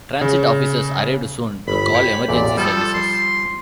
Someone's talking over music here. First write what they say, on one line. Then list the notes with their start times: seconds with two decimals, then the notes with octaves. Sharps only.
Transit officers arrived soon to call emergency services.
0.21 C#3
1.68 G1 B5
1.95 G4 C#5
2.29 A1 E2 A#2 D5
2.57 F3 G3 A4
2.94 C6